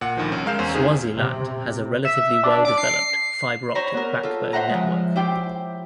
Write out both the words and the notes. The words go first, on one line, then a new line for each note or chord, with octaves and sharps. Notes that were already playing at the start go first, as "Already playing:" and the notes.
Swaziland has a relatively well-developed fibre optic backbone network.
A#2 F#5
D2 D#3 F3
C2 C#4
G#3 A#4 F5 F6 G6 E7
E2 C#4 C5
C3 D#3 G#4
C3
C3
E5
D4
D6
C7
C5 C#5 A#5 B5
B3 A#4
F4 A4
C5 E5 F#5 A#5
F3 G#3
E4 G4 C5 G5